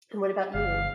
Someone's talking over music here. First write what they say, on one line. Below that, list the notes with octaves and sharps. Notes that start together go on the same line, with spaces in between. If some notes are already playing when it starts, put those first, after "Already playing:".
And what about you?
G1 F5